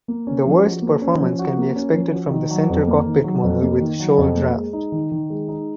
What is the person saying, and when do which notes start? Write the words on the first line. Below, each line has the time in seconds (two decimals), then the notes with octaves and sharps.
The worst performance can be expected from the center cockpit model with shoal draft.
0.08 A#3
0.27 C#4
0.46 F3
0.64 F#4
0.82 A#3
1.02 C#4
1.20 F3
1.39 F#4
1.58 A#3
1.76 C#4
1.94 F3
2.12 F#4
2.31 D#3
2.51 F#3
2.69 F2
2.87 A#3
3.06 D#3
3.24 F#3
3.43 F2
3.62 A#3
3.80 D#3
4.00 F#3
4.18 F2
4.37 A#3
4.55 G#3
4.73 D#4
4.92 D#3
5.12 D#3
5.30 G#3
5.48 D#4